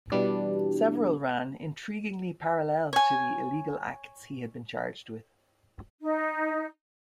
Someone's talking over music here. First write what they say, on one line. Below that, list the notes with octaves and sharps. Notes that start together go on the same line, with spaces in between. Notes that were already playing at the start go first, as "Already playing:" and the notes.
Several ran intriguingly 'parallel' to the illegal acts he had been charged with.
B2 E3 G3 D4
C#5 G#5
D#4